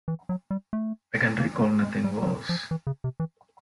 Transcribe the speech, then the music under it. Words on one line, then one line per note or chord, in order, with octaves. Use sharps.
I can recall nothing worse.
E3
F#3
G3
A3
A#3
A3
G#3
G3
G3
F#3
F3
E3
C#3
C3
E3